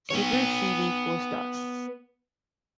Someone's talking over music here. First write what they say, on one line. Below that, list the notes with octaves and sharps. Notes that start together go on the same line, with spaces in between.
Sybil Seely co-stars.
B3 C#5